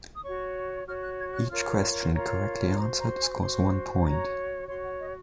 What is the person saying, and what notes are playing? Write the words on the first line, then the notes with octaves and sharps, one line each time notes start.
Each question correctly answered scores one point.
D#6
F#4 C#5 C#6
F#4 C#5 F6
F#6
G#6
F#6
F4 A#4 C#5 F6
F4 A#4 C#5 A#5
C6
F#4 C5 A#5
A#5
G#5
F#4 C5 C6
F#4 C#5 A#5
F#4 C#5 C6
F#5
D#5